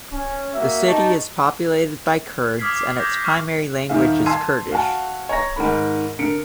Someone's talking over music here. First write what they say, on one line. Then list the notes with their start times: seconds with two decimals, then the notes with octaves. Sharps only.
The city is populated by Kurds and its primary language is Kurdish.
0.12 C#4
0.54 A#3 F#4 E5
0.87 D#4 G4 D#5 A5 C#6
2.59 D6 D#6 F6 G#6 B6 C7
2.76 D6 C7
2.99 D6 D#6 G6 G#6 A#6
3.11 G6 A#6
3.23 C#6 F6
3.89 D#1 D#3 E5 F5
4.26 A5 C6 E6 G#6 C7 D#7
4.71 F#4 F5 F#5 A5
5.29 C#5 A#5 A#6
5.56 G#2 D#3 A#4 B5
6.19 D3 A#4 C#7 D7